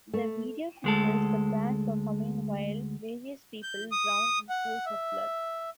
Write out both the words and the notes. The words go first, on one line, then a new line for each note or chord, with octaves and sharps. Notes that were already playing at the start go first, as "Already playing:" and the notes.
The video features the band performing while various people drown in pools of blood.
A3
D2 G#3 A4
G6
D#6
F#5
E5